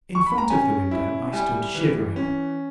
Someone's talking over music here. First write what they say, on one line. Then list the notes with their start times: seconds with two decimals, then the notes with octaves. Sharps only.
In front of the window I stood shivering.
0.15 C#6
0.26 B5
0.38 A#5
0.50 C#4 G#5
0.91 E4
1.33 G3 G#5
1.75 E3
2.16 C#4